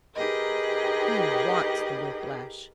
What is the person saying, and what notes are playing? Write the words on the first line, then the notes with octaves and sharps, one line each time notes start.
He wants the whiplash.'
D#4 G4 G#4 A#4 B4 D#5